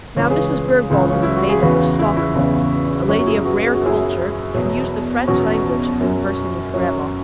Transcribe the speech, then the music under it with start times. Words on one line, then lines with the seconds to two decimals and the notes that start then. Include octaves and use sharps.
Now, Mrs. Bergwald was a native of Stockholm, a lady of rare culture, and used the French language in conversing with grandma.
0.16 C#2 C#3 E3 C#5
0.23 B4
0.30 G#4 C#5
0.89 C#2 C#3 E3
1.09 C#4
1.23 E4
1.36 F#4
1.49 G#4
1.62 E2 C#3 E3 F#4 B4
1.99 E4
2.17 E4
2.35 E2 C#3 E3
3.08 F#2 F#3 C#4 F#4
3.19 F#4
3.27 E4 G#4
3.45 F#4 B4
3.63 G#4
3.75 F#4
3.82 F#2 F#3 E4 G#4
4.54 E2 B2 F#3
5.27 E2 B2 F#3 C#4 F#4
6.00 F#2 F#3
6.73 F#2 F#3 C#4